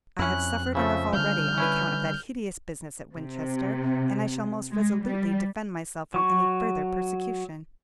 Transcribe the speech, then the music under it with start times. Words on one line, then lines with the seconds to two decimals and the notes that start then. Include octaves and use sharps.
I have suffered enough already on account of that hideous business at Winchester, and I shall most resolutely defend myself from any further persecution.
0.19 F2 C#4 E4 F#6
0.75 C#3 F3 A3 E5
1.13 D3 G3 F6 G6
1.58 C#4 E4 B4
3.15 C3
4.71 G#3
5.04 G3
6.14 F#3 C#6